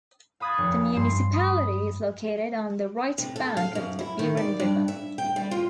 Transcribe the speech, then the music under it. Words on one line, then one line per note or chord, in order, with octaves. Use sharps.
The municipality is located on the right bank of the Buron river.
F5 B5 D#6 F#6 G#6 A6
F1 C#6
G2 C6
B5 D#6
C3
A4
F5
F#2
E4
D#3
D5
G2
E5
G5
G3
F4